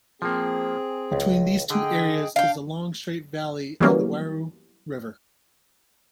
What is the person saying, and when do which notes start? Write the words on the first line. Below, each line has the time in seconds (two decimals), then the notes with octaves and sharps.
Between these two areas is the long straight valley of the Wairau River.
0.22 F3 A#3 C4 G#4
1.12 C#2
1.70 D3 G#4 D#5 G5
2.36 D4 F5 G5
3.80 E3 F#3 G3 A#3 B3 C#4